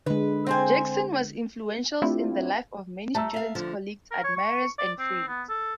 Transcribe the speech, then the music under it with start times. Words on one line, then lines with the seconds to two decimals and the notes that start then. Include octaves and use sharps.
Jackson was influential in the lives of many students, colleagues, admirers, and friends.
0.06 D3 G#3 B4
0.47 C4 C5 G#5
2.02 A3 C4 D4 E4 F4 G4
3.15 G3 A3 A5 A#5 E6
3.34 E5 F5
3.55 D3 F3
4.11 A#4
4.24 C#5
4.37 C#6
4.79 D5
4.99 C4
5.27 B3
5.49 A4